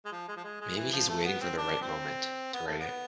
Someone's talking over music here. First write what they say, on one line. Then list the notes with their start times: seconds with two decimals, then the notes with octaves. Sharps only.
Maybe he's waiting for the right moment to write it.
0.05 G#3
0.12 F3
0.28 G#3
0.36 F3
0.44 G#3
0.60 G#3
0.76 E3
0.92 F3
1.09 A3
1.24 B3
1.41 C4
1.57 D4
1.81 C4
2.53 B3
2.67 A3
2.79 B3